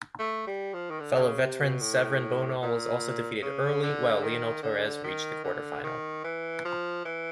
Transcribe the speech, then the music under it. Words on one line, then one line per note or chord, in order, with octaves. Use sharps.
Fellow veteran Severine Bonal was also defeated early, while Lionel Torres reached the quarterfinal.
A3
G3
F3
D#3
D3
D3
C#3
C3
B2
A2
A#2
C#3
D3
D#3
D3
D#3
D3
D#3
E3
F3
E3